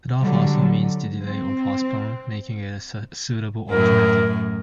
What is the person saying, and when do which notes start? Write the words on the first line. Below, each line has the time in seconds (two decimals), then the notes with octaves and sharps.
"Put off" also means to delay or postpone, making it a suitable alternative.
0.22 D3 F#3 G3
1.24 C4
3.71 F#2 A2 F#3 A#4